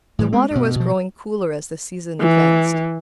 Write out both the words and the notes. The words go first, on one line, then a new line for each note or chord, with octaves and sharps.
The water was growing cooler as the season advanced.
A2 E3 G3
G#3 B3 C4
G2 B2
B2 F3
E3